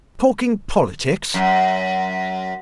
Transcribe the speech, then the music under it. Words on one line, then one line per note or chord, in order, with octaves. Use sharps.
"Talking politics?"
F#2